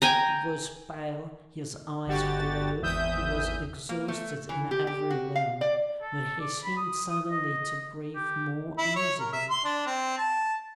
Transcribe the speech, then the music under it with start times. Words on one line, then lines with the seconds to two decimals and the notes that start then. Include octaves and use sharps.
He was pale, his eyes glowed, he was exhausted in every limb, but he seemed suddenly to breathe more easily.
0.02 G5 G#5 A#5
2.06 G1 D3 F#4 G4 A6
2.82 G#1 E2 E3 E5 D#6 G6
3.89 A#3
4.08 A3
4.49 E3
4.71 G4
4.87 G4
5.10 F#4
5.35 F5
5.61 D5
6.02 A4
6.40 D5
6.64 B5
6.77 D#6
7.09 D#6
7.30 D#5
8.15 G4
8.78 E4
8.96 C#5
9.20 A#4
9.32 E5
9.50 C6
9.64 D4
9.87 C4
10.18 A5